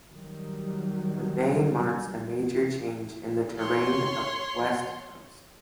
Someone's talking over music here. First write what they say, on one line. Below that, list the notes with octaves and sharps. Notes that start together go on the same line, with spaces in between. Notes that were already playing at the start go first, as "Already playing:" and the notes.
The bay marks a major change in the terrain of the west coast.
D#3 F#3 G3
C#5 C6